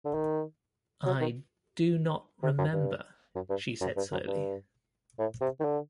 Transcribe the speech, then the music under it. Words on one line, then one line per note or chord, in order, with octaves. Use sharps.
"I do not remember," she said slowly.
D3
D#3
F#3
D#3
C3
F#2
G2
F#2
G2
F#2
G2
F#2
G2
A2
C3
D#3
D3